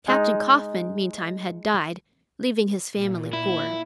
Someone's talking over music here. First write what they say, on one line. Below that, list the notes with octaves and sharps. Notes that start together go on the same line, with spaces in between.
Captain Coffin meantime had died, leaving his family poor.
G#3 D#4
A#2
E4